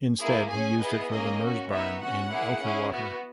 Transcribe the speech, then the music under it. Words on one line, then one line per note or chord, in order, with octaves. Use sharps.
Instead he used it for the "Merzbarn" in Elterwater.
A#3 E4 G#4
C#4 G#4 G#5
B3 E4 G#4 D#5
A#3 C#4 G#4 D#5
C#4 F#4
B3 D#4 F#4 E5
C#4 F#4 F#5
A#3 E4 G#4
C#4 E4 G#4
B3 F#4